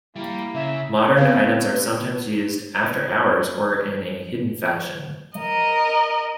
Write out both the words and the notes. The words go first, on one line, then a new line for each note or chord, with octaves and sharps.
Modern items are sometimes used "after hours" or in a hidden fashion.
G3 A#3 E4
C#3 E5
B3 C4 B4 C#5 F5
A#4 D#5